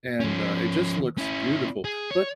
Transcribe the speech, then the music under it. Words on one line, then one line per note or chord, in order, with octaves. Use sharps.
and, uh, it just looks beautiful, but
F3 C#4
C#4 E4
G#4
C#5